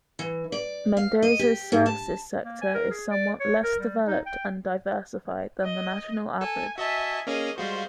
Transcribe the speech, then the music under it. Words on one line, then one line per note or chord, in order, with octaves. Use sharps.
Mendoza's services sector is somewhat less developed and diversified than the national average.
E3
D5
F5
D#5
G4
G#2
A5
A#3
G#5
A#4
G#4
D5
C#5
A#4
G3
D#4
G5
D#5
A4 G#5
F#4 D#5 E5 G#5 A5
A#3 C#4 G#4 D#5
G3 G#3 F#4 C5 F5